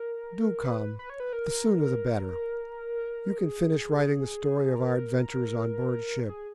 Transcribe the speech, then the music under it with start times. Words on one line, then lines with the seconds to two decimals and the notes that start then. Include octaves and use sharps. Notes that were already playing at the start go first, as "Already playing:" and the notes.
Do come; the sooner the better; you can finish writing the story of our adventures on board ship.
Already playing: A#4
0.65 B4
0.99 B4
1.10 C#5
1.20 B4
1.33 A#4
3.38 G#4
4.75 A#4
6.29 G#4